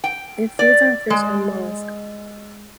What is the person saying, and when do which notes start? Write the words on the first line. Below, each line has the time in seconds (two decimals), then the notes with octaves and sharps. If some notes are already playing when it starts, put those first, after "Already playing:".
It feeds on fish and molluscs.
0.04 G5
0.59 D5
1.10 G#3